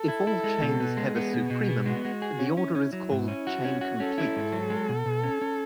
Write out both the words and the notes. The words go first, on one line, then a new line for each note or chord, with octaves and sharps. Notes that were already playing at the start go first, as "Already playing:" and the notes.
If all chains have a supremum, the order is called chain complete.
Already playing: A4
E4
E4
G#3
B2
B3
G#3
B3 G#4
B2
B2
B3
G#3 F#4
G#3
G#4
C#4
C#4 E4
C#4
F#3
G#2
C#4
F#4
C#4
F#4
C#4 A4
E4
G#2
F#3
G#3
B2
B2
C#4
C#4